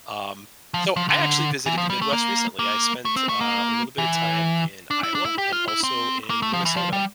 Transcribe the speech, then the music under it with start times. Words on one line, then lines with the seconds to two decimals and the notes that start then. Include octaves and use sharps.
Um, so I actually visited the Midwest recently. I spent, uh, a little bit of time in Iowa and also in Minnesota,
0.74 F3
0.96 F3
1.09 D3
1.66 E3
1.78 F3
1.90 G3
2.02 A3
2.13 A#3
2.59 A#3
3.05 A3
3.16 C4
3.29 A3
3.41 A#3
3.98 E3
4.91 D4
5.03 E4
5.15 D4
5.25 E4
5.38 G4
5.52 F4
5.68 E4
5.84 C4
6.30 A#3
6.42 A3
6.53 F3
6.65 E3
6.77 F3
6.93 G3